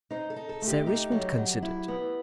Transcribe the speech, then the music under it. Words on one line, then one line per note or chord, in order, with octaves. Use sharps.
Sir Richmond considered.
D#4 C5
A4
D#4
A4
A3
G4
D#4 G4
F#3
F#3
E4
B3